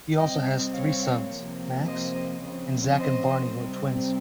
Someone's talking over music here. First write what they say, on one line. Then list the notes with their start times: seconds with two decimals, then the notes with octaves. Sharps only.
He also has three sons: Max, and Zak and Barnie who are twins.
0.18 C3 G3 C4 D#5 G5
0.74 C#5 F5
1.30 C3 F3 A#3
1.85 C5 D#5
2.42 C#3 F3 C4
2.98 C5 D#5
3.54 C3 G3 C4